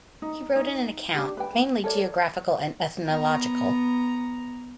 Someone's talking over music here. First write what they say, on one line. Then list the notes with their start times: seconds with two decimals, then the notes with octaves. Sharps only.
He wrote an account, mainly geographical and ethnological.
0.22 D#4
0.56 D#4
1.15 D4 G4
1.37 B4 G5
1.84 A4 A#4 C#5 D5
3.07 B3 A#5